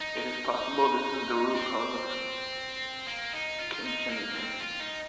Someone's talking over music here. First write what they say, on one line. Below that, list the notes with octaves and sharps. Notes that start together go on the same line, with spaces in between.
It is possible this is the root cause of cinchonism.
D#4
C4
A#3
D#4
F4
F4
D#4
A#3
C4
F4
D#4